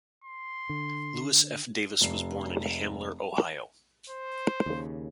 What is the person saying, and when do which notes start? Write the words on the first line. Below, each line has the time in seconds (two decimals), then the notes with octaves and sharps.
Louis F. Davis was born in Hamler, Ohio.
0.24 C6
0.69 D3
2.01 F1 C7
4.10 C5
4.66 D#2 C#3